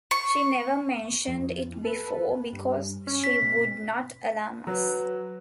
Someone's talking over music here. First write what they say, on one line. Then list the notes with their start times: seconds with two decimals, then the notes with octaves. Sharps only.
She never mentioned it before, because she would not alarm us.
0.11 C#6
1.28 F2
1.85 A4 B4
2.53 G2
3.07 C#4
3.24 B6
3.42 B2
4.67 F#3 B4